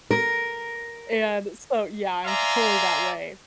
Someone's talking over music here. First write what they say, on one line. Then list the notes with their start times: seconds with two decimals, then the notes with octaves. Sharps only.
and so, yeah, I'm totally that way.
0.11 A#4
2.25 D5 E5 F5 G#5 A#5 C6